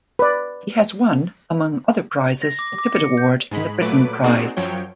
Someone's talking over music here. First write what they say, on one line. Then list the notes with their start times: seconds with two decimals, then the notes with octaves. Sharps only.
He has won, among other prizes, the Tippett Award and the Britten Prize.
0.19 B4 D5
2.42 A#6
2.59 D6
2.78 D6
2.95 C#7
3.18 G6
3.51 G#2 G#3 B5
3.81 A#2 F#3 A3 B4 D6 D7
4.24 A#3 C4 D#4 F#4 G#4 D5
4.57 F#2 F3 F#3 C#5 G5